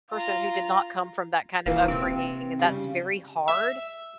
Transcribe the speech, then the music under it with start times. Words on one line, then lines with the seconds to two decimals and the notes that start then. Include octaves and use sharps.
person who did not come from that kind of upbringing, and that's very hard
0.11 F4 A#5
1.66 D#1 A#2 E3 A#3
1.88 C3 C4
2.59 C#3 G3
3.48 E5